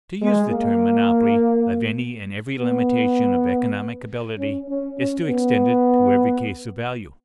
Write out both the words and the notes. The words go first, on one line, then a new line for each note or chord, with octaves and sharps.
To use the term monopoly of any and every limitation of economic ability is to extend it to every case of value.
G#3
A#3
B3
C#4
C#4
C#4
B3